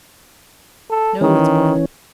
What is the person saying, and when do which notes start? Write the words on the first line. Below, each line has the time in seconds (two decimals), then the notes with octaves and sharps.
No, it's boiling.
0.90 A4
1.21 D#3 E3 C#4